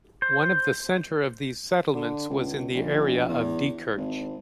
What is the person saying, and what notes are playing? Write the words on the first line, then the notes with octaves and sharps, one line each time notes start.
One of the centre of these settlements was in the area of Diekirch.
C5
D3
C#2
A#1
E2
G#1